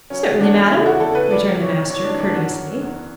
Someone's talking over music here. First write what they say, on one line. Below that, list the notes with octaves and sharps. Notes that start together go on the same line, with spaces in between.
"Certainly, madam," returned the master, courteously.
F#3 C#4
E2 D4
C#3 E4
F#4
E2 A4
B4
F#2 D5
E3 C#5
E3 C#5
D4
F#2 D4
F#4
F#3
E2